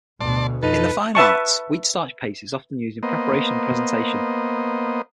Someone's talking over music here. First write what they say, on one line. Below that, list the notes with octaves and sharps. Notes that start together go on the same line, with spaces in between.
In the fine arts, wheat starch paste is often used in preparation and presentation.
D2 B2 D5 A5 C6
F2 D#4 A4 B4
B4 E5 A5 C#6
A#3 B3 C5 D#5